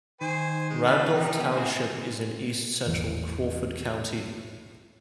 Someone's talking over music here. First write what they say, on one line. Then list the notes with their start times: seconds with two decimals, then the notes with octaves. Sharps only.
Randolph Township is in east-central Crawford County.
0.21 D#3 C5 G#5
0.70 G#3
0.86 G#4 A4 B4
1.14 E3 D#4 G4
1.38 B3
1.56 C4 E4 F#4 G#4
2.86 G#1 E2 E3 G3